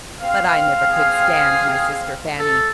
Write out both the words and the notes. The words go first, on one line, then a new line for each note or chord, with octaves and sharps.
But I never could stand my sister Fanny.
C4 F5
G#4
A4